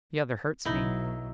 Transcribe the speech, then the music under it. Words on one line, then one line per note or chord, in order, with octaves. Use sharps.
"The other hurts me."
B1 F#3 D#4 E4